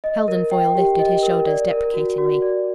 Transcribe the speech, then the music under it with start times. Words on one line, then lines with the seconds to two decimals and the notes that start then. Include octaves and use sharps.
Heldon Foyle lifted his shoulders deprecatingly.
0.04 D#5
0.28 A#4
0.51 G5
0.75 G4
0.99 D#5
1.23 A#4
1.47 D5
1.71 A#4
1.94 F#4
2.18 F#4
2.42 D5